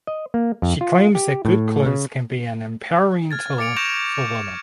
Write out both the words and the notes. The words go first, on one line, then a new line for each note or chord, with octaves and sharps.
She claims that good clothes can be an empowering tool for women.
D#5
A#3
F2
F4
G4
A2
C#3
F6 G#6 A6
D6 A6 C#7 D7 F7
C#6 G6 A#6 D7 E7 F7
E7